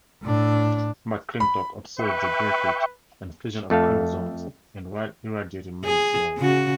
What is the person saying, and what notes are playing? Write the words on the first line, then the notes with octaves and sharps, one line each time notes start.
McClintock observed the breakage and fusion of chromosomes in irradiated maize cells.
A2 D4
B5
B4 E5 G5 C#6
F2 A3 A4 F5
G#4
C#3 F#4